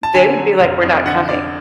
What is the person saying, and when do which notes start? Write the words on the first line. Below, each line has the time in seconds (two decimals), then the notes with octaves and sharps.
they would be like, "We're not coming.
0.03 A5
0.15 D3 G#5
0.37 F#3
0.60 F1
0.83 F2
1.06 D3 F#5
1.29 D3 D5